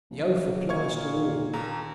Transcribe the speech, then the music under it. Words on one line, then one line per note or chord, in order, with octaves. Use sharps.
"The oath applies to all."
A#1
F#3
A#2 F5 C#6 G#6
D#2 A#5